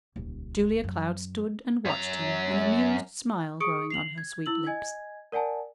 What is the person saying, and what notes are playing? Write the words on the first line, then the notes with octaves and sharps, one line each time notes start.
Julia Cloud stood and watched him, an amused smile growing on her sweet lips.
D#1 C#2
F#2
F#2 A#5
G#4 C#6 D#6 C#7 D7
C7 F7 F#7
G#6
E4 E6 F#7
D#5 G#5 G#6
A#4 D5 F#5 G#5 A5